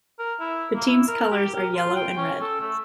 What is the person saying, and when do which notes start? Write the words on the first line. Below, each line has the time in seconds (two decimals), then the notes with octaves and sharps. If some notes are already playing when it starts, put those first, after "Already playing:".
The team's colors are yellow and red.
0.19 A#4
0.40 E4
0.75 A#3
0.87 E4
1.08 A#4
1.31 G4
1.55 A#4
1.75 F4
1.96 G5
2.17 C#4
2.41 A4
2.60 A3